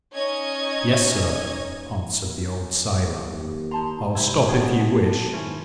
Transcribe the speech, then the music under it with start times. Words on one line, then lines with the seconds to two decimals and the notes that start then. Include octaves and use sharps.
"Yes, sir," answered the old sailor, "I'll stop if you wish."
0.14 C#4 D#4 C#5 D#5 G#6
3.28 D#2
3.71 D#4 A5 A#5 C6
4.15 C3 G3 G#3 E4
4.49 C#4 D4 G4 G#4 F#5
4.88 A5
5.33 D#3 C#4 E4 C5 G#5